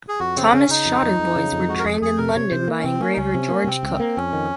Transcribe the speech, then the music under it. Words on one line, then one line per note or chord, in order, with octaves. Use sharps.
Thomas Shotter Boys were trained in London by engraver George Cooke.
G#4
F2 F#4
C#3 C4
C#3 C#4
C#3 D#4
F2
F2
F2
C#3
F2
G#3 F#4
A#4
F2 G#4
F2 G#4
C3 A#4
C3 C#5
C3 C5
A#3
C#4
C3 C4
A#3 C#4
D#4
C#2 C#4
C3
A#3
C3 C4
C#2
A#3
F2 C#4
D#3